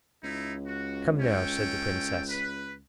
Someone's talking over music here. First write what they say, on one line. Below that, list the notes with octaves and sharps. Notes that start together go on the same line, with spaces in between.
"Come now," said the princess.
C#2 D#4 E4
F#4
C#4 A4 G5
B4